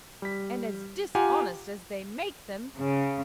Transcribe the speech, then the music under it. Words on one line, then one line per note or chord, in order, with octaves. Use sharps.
'And as dishonest as they make them.'
G3 B6
F4 G4 F#5 G#5 A#5
C#3